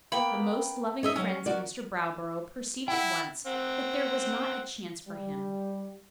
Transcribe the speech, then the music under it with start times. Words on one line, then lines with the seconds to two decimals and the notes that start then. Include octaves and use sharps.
The most loving friends of Mr. Browborough perceived at once that there was not a chance for him.
0.12 A#3 B3 G5 B5
1.03 D#4 G#4 C#5 D#5 E5
1.16 F#3 C#4 G#5
1.46 F#4 A#4 D5
2.88 E4 F#5 G5
3.47 C4 F#5
5.09 G3